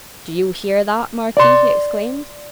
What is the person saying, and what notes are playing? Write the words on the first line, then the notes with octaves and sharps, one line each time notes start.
"Do you hear that, Marquis?" he exclaimed.
D5 C6